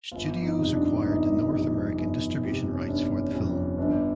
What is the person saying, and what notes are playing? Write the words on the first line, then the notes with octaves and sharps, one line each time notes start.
Studios acquired the North American distribution rights for the film.
G1 F4
D#4
F2 C3
D4
G1 D#4
F2 C3
G1
F2 C3
C#4
G1 D4
C#4
F2 C3 C#4
C#4
G1 D4